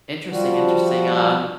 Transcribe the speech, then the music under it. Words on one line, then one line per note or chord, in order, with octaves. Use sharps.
Interesting, interesting, um,
F3 G3 F#4